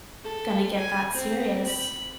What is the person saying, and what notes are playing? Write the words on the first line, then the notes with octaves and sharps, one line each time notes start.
gonna get that serious.
A4
G#5
C4
B5